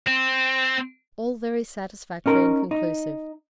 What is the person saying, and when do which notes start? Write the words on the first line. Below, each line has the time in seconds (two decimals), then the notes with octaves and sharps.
All very satisfactory and conclusive.
0.07 C4
2.26 C#4 D#4 A#4
2.71 D#4